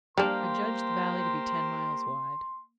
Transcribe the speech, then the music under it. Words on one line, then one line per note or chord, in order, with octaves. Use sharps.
I judged the valley to be ten miles wide.
G3 A#3 D4 G4 A#4 C5 C6